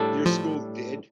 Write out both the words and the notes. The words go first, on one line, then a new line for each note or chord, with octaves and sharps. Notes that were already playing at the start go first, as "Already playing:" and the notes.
your school did
Already playing: A2 G3 D4 A4
F3